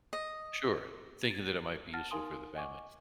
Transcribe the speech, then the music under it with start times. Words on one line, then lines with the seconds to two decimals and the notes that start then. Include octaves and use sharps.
Sure, thinking that it might be useful for the family.
0.13 D#5
1.31 G#6 A6
1.93 F#5 A5 F6 A6 A#6
2.11 D#4 A#4 F5 G#5 C6 D#6
2.55 D#5 F#5 G#5 C#6 D6